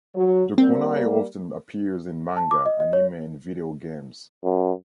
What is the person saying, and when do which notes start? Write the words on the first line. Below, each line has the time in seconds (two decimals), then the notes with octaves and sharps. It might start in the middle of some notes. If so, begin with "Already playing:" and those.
The kunai often appears in manga, anime and video games.
0.15 F#3
0.58 G3 A#3 C4
2.36 A5
2.51 D6
2.66 D#5
2.80 D#5
2.93 C#5
4.44 F#2